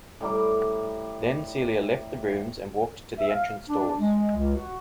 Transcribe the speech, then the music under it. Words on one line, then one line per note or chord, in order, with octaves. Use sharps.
Then Celia left the rooms and walked to the entrance-doors.
A2 G3 A#5 D6
E5
F5
D4
G#3
C#2
F#4